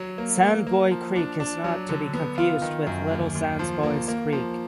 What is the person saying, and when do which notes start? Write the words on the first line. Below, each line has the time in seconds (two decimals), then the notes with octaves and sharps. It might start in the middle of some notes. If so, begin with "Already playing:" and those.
Sans Bois Creek is not to be confused with Little Sans Bois Creek.
Already playing: F#3
0.18 A#3
0.43 A#3
0.67 A#3
0.91 F3
1.16 D4
1.40 D4
1.64 F#3
1.89 D3
2.13 B3
2.38 F4
2.62 D#3
2.87 F#2
3.11 D#2
3.35 D#2
3.59 F3
3.83 A#3
4.08 A#3
4.33 F3